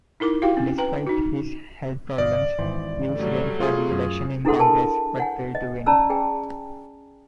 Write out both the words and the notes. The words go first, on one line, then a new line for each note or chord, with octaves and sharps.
Despite his health problems, Hewes ran for re-election in Congress but failed to win.
D#4 E4 A#4 D6
E4 F#4 G4 F5 G5
C4 C#4
B4 G5 A#5
D#4 F#4
G1 D5 D#5 F5
G#1 E3 C5
F#3 G3 A3
F4 G#4
F#2
D4 E4 G#4 A4 F#5 C6
A#4 G#5 A5
C#5 F#5 G#5
D#5
C#4 D5 A5 A#5 E6
G#4 G5 G#5